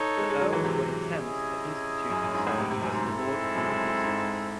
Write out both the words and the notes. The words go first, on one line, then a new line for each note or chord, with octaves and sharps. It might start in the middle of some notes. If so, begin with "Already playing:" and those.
The Earl would attempt to institute himself as the Lord of New Hastings.
Already playing: D#4 A4 C#5
G#3
G#3
F#3
E3
C3
C#4 E4 G#4 D#5
F#2
F#2
G#2
A2
C3
C3
F#2
G#2
G#3 C4 E4 A4
F#2
G#2